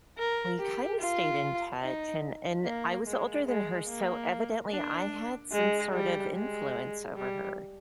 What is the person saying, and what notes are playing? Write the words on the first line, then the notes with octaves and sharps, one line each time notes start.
we kinda stayed in touch, and and I was, uh, older than her, so evidently, I had some sort of influence over her,
A#4
G4
F4
D#4
A#3
G#3
G#3
A#3
D4
G#3
G3
G#3
G3